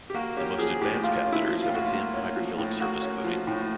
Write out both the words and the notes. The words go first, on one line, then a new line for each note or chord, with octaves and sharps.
The most advanced catheters have a thin hydrophilic surface coating.
G4
A#3 F#4
C#4 G4
F3 G#4
A2 G4
A#3 F4
C#4
E4
F3
F4
A2
F#4
F4
A#3
C#4
F3
A2
A#3 F#4
C#4
F3
A2